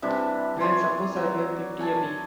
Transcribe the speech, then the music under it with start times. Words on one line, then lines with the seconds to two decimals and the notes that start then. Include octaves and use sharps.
Well, suppose I made fifty a week.
0.02 C3 E3 G3 D4
0.60 C#5 D5 G#5 C6
1.16 F#3
1.80 G#5 A5